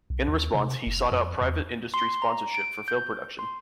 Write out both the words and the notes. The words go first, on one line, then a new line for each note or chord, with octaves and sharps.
In response, he sought out private industry sponsorship for film production.
B1
D#2
C3
F#1
F2
E2
C6
A#5
D7
G6
C6